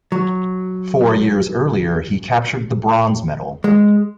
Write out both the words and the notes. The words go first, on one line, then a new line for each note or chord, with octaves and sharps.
Four years earlier he captured the bronze medal.
F#3
G#3